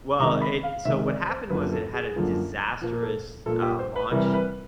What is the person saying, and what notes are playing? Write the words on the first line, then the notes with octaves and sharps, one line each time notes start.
Well, it so what happened was it had a disastrous, uh, launch,
C3 D#3 G#3 A#5
B5
F5
C3 D#3 G#3 E5
D5
C5
F#2 D3 F3 A#3 B4
A4
G#4
F#2 D3 F3 A#3
A#2 F3 A#3
A4
A#2 F3 A#3 A4
G4
C5
B4
C3 E3 G3 A#4
A#4
B4